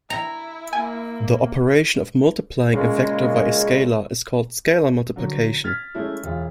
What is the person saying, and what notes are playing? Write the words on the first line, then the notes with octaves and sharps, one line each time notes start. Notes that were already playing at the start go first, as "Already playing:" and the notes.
The operation of multiplying a vector by a scalar is called "scalar multiplication".
E4 A#5
A#3 G#5
A#2 C#3 G#3
D3 F#3
F6 G#6 A6 B6
G#3 A3 C#4 E4
E1 F4